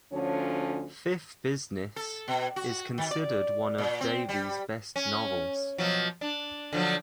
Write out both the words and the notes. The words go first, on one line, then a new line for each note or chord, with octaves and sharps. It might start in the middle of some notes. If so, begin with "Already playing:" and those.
"Fifth Business" is considered one of Davies' best novels.
D2 D3 F3 C#4
A4
B2
F#4
D#3
D5
A#2
C4
G3
C#4
B2 F3 F#3
D4
D3 F3 F#3